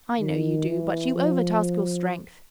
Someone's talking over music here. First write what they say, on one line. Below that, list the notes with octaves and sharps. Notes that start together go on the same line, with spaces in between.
'I know you do, but you overtask your strength.
D#3
E3
F3